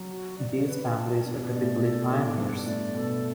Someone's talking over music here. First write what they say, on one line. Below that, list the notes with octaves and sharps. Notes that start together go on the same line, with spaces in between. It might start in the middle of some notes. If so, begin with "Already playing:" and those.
These families were typically pioneers.
Already playing: F#3
F#4
D5
B4
A5
B2 D4
B2
D5
A2
A4
D4
G2 D4
A2 D5
B2 A4